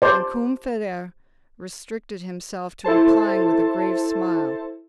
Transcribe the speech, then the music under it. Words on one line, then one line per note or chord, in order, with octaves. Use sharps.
And Combeferre restricted himself to replying with a grave smile.
C5 D5
E4 A4 C5 A5